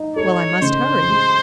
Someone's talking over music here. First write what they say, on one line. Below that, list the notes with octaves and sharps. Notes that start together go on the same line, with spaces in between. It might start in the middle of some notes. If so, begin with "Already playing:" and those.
Well, I must hurry.
Already playing: D#4
A4 C#5
C#3 C5
G#3